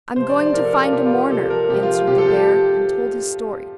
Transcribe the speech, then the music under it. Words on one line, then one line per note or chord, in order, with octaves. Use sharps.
'I am going to find a mourner,' answered the bear, and told his story.
C3 F3 C5
D5
D5
C3 F3 A#4
A4
A#4
F4
C3 F3 G4
F4
G4
C3 F3 A4
A#4
C3 F3 G4
F4
F4
C3 F3 G4
A4
G4